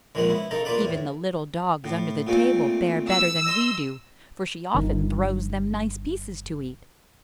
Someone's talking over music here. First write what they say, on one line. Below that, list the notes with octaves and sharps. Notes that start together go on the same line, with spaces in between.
Even the little dogs under the table fare better than we do, for she often throws them nice pieces to eat.
C#2 A#2 D#3 F3 G#3 F#5
B3 E4
C#3 D#4 A4 A#4
A#3 F4 B4 D5 F#5
E2 A2
A2
A#2 A3 C4
E6
D#5 C6
G1 D#3